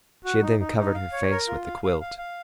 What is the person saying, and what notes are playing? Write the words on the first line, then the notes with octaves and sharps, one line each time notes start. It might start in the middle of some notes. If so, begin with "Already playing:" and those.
She had then covered her face with the quilt.
F#4
D#4
D#4
D#4
F5
C#5
A#4
F4
F5
F5
F5
F5